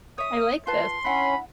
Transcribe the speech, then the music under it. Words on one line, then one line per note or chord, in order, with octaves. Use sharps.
I like this.
C#5 E5 D#6
F4 B4 A5 C6
C#4 D4 E4 F#5 B5